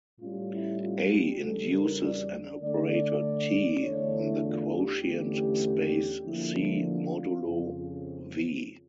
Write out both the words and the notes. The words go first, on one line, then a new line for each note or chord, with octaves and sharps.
"A" induces an operator "T" on the quotient space C modulo "V".
A2 G3 C#4 F4
E4
F4
G4
E2 C#3 G3 D4 A4
A#4
D5
D3 A3 D4 D5
E2 D3 A3 D4 C#5
E4
F4
G4
E2 D3 A3 C#4 G4
D3 F3 A#3 D4 E4
E4
F4
F2 C#3 F3